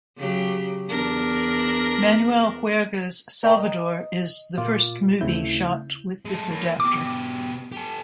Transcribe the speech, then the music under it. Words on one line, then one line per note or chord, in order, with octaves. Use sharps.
Manuel Huerga's "Salvador" is the first movie shot with this adaptor.
C#3 F#3 G4
E2 D4 A#4
A#4 D5 D#5 G5 A#5
D#5
A#2 F4 D6
D#2 C#3 A3 C4 E4 G6
G#3 A4
A#3 E4
B2 G4 D6
G4 A4